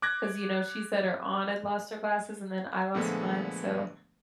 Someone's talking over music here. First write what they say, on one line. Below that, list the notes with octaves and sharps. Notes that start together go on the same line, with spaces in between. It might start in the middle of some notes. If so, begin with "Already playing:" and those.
'cause, you know, she said her aunt had lost her glasses and then I lost mine, so,
D6 F#6 G#6 A#6
A#2 D3 F3 G#3 A3 B3